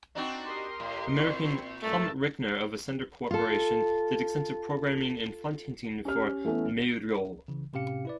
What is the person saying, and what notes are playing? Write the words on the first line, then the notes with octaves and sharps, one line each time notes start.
American Tom Rickner of Ascender Corporation did extensive programming and font hinting for Meiryo.
C4 D4 D#4 F#4
G4 A#4 D#5 C6
A2
A#2 C4 E4 C#6
G2 A3 A#4 A5 E6
F4 A4
C#4 G4 F6
E3 A3 B3 C#4
C#3 E3
A2 C3 C#4 G4 F5 C#7
E4 B4 D5